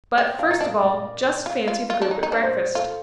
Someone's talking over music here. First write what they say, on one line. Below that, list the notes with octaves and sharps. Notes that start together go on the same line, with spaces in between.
But, first of all, just fancy the group at breakfast.
C4 D#5
D4 F5
D#4
D4 D#5
D5
F4
F4
F4
D4
D#4
D#4
D4
C5
F4 A4